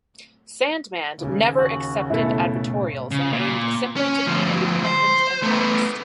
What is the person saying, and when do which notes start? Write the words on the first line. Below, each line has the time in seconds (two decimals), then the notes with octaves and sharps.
Sandman never accepted advertorials and aimed simply to be independent and honest.
1.19 D#2 C#3
1.58 F#4
2.10 G#2 B2 A3 E4 A4
3.11 C#3
3.33 A#2
3.96 C#4
4.27 D2 F3
4.84 C5
5.43 A3 B3